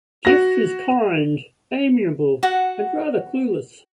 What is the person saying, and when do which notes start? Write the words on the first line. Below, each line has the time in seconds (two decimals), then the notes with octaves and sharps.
Jiff is kind, amiable and rather clueless.
0.25 F#4 A#6
2.43 F#4 F#5